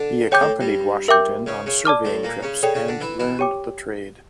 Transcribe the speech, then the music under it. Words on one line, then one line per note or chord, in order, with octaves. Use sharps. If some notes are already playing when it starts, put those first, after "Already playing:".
He accompanied Washington on surveying trips and learned the trade.
Already playing: D3 D4
C#3 C#4 C#5 G5 D6 G6
A2 A3
G2 G3
A#4 E5 G5 D6 G6
C#3 C#4
C#3 C#4
D5 A5 D6 F6
A2 A3
A#2 A#3
C#3 C#4
C#3 C#4 A4 D5 G5
C#3 C#4
D3 D4
E3 E4
E3 E4
G4 C#5 G5 D6